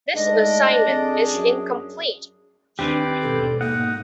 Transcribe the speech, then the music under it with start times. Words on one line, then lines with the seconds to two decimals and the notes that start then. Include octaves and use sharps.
This assignment is incomplete.
0.15 G#2 A3 D4 D#5
0.86 F2 G#4
1.33 F#2
2.79 D#2 C4 D4 G4 B4 D5
3.22 G#2 B2 A4
3.61 A#3 D#4 F#5